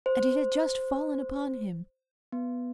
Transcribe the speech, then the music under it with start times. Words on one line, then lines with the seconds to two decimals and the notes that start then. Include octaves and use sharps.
And it had just fallen upon him.
0.06 C5
2.32 B3